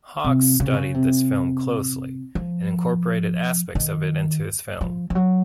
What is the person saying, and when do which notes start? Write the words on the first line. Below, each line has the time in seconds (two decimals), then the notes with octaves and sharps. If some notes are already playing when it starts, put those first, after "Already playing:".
Hawks studied this film closely and incorporated aspects of it into his film.
0.24 C3
0.60 C#3
0.67 C3
0.73 C#3
0.94 C3
2.35 F3
3.75 D#3
4.81 F3
5.10 F3
5.15 F#3